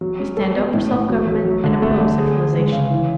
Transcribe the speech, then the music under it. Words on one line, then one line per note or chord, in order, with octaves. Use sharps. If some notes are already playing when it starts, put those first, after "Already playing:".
We stand up for self-government, and oppose centralisation.'
F#3
C#4
A4
B3
A2
A2
F#3
F#3
F#3
D3
A3
D3
G#4
G#4
G#3
C#3
E3